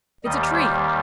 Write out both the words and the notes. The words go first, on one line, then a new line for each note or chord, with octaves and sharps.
"It's a tree."
D#2 D#3 G3 D#5
C5